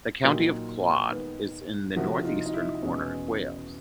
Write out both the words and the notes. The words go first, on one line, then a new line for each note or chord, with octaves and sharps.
The county of Clwyd is in the northeastern corner of Wales.
A#2 F#3 A#3 D#4 F4 G4
D#3 G#3 B3
C3 F3 A#3 E4 F#4
D#4 F4
D#4
E4
E2 B2 G#3 C#4